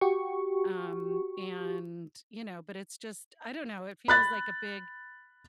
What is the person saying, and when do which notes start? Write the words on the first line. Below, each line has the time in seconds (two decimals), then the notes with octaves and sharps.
um, and you know, but it's just I don't know, it feels like a big
0.01 F#4 G4 C#6
4.08 B5 F#6 A6